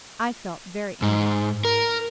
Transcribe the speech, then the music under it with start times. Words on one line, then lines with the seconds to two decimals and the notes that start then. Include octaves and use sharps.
I felt very angry.
1.02 G#2
1.65 A#4